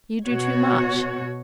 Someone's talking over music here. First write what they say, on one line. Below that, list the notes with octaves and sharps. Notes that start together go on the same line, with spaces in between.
You do too much.'
B2 F#4 C#5